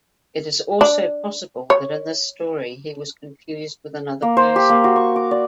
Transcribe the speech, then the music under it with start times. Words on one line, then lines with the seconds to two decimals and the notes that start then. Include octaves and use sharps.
It is also possible that in this story he was confused with another person.
0.81 D4
1.70 C#5
4.22 A#3
4.37 C5
4.56 G4
4.70 A#3
4.84 F#4
4.96 C#6
5.16 D6
5.31 D5